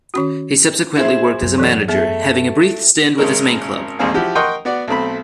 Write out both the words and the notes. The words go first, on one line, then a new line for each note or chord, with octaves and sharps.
He subsequently worked as a manager, having a brief stint with his main club.
D#3 C#4 F#4
E4 G#4 C5
F#2
E3 A4 D5
A3 B3 G#4
G#1 C#3 G#3 C#4 A#4
A1 D#2 G#3 C4 G#4 F5
F3 E4 F#4 G4
A#4 D#5 F#5 G5 C6 C#6
B3 F#4 D5
B1 A3 C4 B5